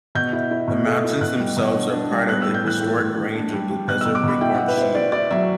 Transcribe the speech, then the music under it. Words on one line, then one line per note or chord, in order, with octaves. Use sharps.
The mountains themselves are part of the historic range of the Desert Bighorn Sheep.
B2 G6
E4
E4
B2
A3
E4
B2 F#6
G3
B2
D4
D4
G3
B3 F#6
A2 E6
G6
E3 F#6
A2
A2
E3
D4
G3
G3
B2 F#6
B2 E6
D6
B2 B5
E4 G5
E4 F#5
B4
E4 C5
E4 D5
E4 D5
F#3 E5